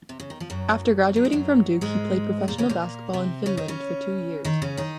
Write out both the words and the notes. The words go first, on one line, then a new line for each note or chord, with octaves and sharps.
After graduating from Duke, he played professional basketball in Finland for two years.
C3
C#3
D#3
F3
F#2 F#3
F#3
G#3
F#2 F#3
G#2 G#3
A#2 A#3
C#3 C#4
A#2 A#3
C3 C4
C#3 C#4
D#3 D#4
C#3 C#4
D#3 D#4
C#3 C#4
D#3 D#4